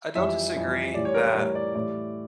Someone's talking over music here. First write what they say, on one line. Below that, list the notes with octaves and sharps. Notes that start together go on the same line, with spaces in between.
I don't disagree that
F2 E3 G3 E5
F2 E3 G3
A2 E3 G3 D5
C#5
A#4
A#4
A2 E3 G3 C#5
D5
A2 E3 G3 D5